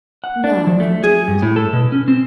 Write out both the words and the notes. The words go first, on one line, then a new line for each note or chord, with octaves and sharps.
"No, indeed."
F#5
D4
F3
A3
G#4
G2
A2
A4
B2
C#4
C4